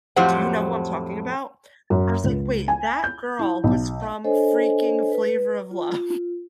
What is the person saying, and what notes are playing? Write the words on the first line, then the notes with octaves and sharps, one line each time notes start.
Do you know who I'm talking about? I was like, "Wait, that girl was from freaking Flavor of Love.“
F2 A2 F#3 G4 C5 F#5
F#2
C#2
G#5
G6
E4
B1
D4 A4 C5 C#5 D#5 G#5
B4
F4